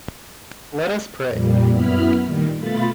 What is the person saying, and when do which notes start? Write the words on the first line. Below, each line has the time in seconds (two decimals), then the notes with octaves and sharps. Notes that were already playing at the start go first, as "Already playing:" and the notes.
Priest: Let us pray.
1.28 F2 A#2 G3
1.70 F#2 B3 E4 B5 F6
2.24 A#2 D#3 G3
2.56 B2 A3 F4 B5 A6